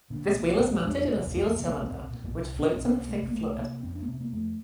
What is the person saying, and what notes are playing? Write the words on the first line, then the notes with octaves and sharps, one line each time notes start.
This wheel is mounted in a sealed cylinder, which floats in a thick fluid.
A#2 D3
C4
C2 A#3
C4
A#2 C4
C4
F2 D4
C3 C4
F2 C4
A#3
C3 A#3
C4
C2 C4
A#2
C2
A#2 D4
C4
C2 A#3
C3 A3
A#3
C2 A3
C3 A#3
F2 C4
D4
A#3
C3 C4
A#3
F2 A3